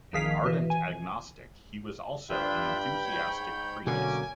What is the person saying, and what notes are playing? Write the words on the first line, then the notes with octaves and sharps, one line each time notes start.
An ardent agnostic, he was also an enthusiastic freemason.
A#1 D#3 G#4 F5 B6
B2 E3
G#5
G2 G3 D4 F4 E5 G5 B5
G#2 C#5 G6
B2 D3 F#3 A#3 C#4 G#5 D6